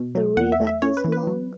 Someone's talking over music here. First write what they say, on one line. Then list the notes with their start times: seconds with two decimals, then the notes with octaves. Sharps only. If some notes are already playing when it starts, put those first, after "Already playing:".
The river is long.
Already playing: B2
0.15 F#3
0.37 E2 F#5
0.52 E5
0.60 A3
0.67 E5
0.82 C#4 C#5
0.97 B4
1.04 E3
1.12 B4
1.27 F#3